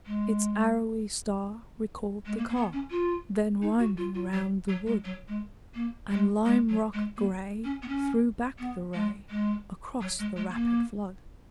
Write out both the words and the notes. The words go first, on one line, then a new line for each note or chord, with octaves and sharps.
Its arrowy star recalled the car Then winding round the wood, And lime-rock gray threw back the ray Across the rapid flood.
G#3
G#3
A#3
A#3
B3
C#4
F4
D#4
F#4
F4
F4
F#3
F#3
G#3
F#3
G#3
A#3
G#3
G#3
F#3
G#3
A#3
C#4
B3
C#4
B3
G#3
G#3
F#3
G#3
G#3
B3
A#3